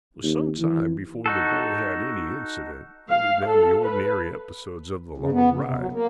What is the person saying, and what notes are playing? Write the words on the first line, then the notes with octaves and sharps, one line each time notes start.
It was some time before the boy had any incident other than the ordinary episodes of the long ride.
D#2
E3
D#4 F#4 A4
F5
A4
B4
C#3
B3
C#3
C3
F#3
A#3